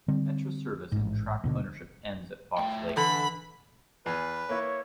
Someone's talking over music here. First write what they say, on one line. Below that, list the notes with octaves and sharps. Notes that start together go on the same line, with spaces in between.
Metra service and track ownership ends at Fox Lake.
D3 G3 C4
A1 G#2
D#2 B2 D3
A3 G5
D3 E3 B5
E2 B4 G#5
A#3 E4 C#5